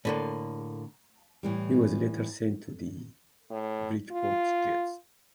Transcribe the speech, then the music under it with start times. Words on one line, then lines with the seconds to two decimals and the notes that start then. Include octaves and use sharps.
He was later sent to the Bridgeport Jets.
0.05 A2 D3 A#3
1.43 A2 E3 G3
3.51 A2
4.12 F4